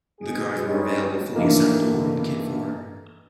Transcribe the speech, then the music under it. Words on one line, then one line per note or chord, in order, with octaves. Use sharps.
The cars were available fully assembled or in kit form.
B2 G#4
G2 G3 G#3 C#4 D#4
G2 E3 A3 A#3 D#4